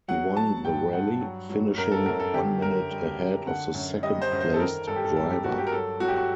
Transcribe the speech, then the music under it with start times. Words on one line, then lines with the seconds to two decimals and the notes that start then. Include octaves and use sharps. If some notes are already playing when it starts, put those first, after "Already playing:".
He won the rally, finishing one minute ahead of the second placed driver.
0.08 F#3 F#5
0.37 F#3 A5
0.64 G2 G5
0.93 G2 F#5
1.21 F#3
1.49 F#3
1.77 F#2 A#4
1.92 A4
2.06 F#2 A#4
2.20 A4
2.34 D3 G4
2.62 F#2 A#4
2.90 G3
3.19 F#2
3.47 D3 F#5
3.75 F#2
4.03 G3 D#5
4.22 C5
4.32 F#2
4.40 C5
4.54 A4
4.60 D#3 A#4
4.87 G2 A4
4.96 G4
5.05 A4
5.16 G3 A4
5.30 G4
5.44 G2 F#4
5.58 G4
5.67 A#4
5.72 F#3 A4
6.00 F#3 F#4
6.08 G4
6.16 F#4